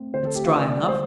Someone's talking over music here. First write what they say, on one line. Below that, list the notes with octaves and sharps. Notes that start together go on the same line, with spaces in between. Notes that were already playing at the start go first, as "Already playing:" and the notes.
It's dry enough.
Already playing: A3 C4
D3 C5
A4
A3 G4
F4
D3 D5
D5
G3 D5
C5